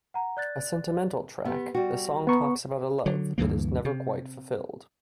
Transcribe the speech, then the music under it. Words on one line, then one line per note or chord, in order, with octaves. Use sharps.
A sentimental track, the song talks about a love that is never quite fulfilled.
F#5 A#5
D5 F#6 A6
B3 G4 B4
G3 F#4 G5
B3 F#5 A#5 C#6
D3 F#3
D2 G2 E3 A#3
C3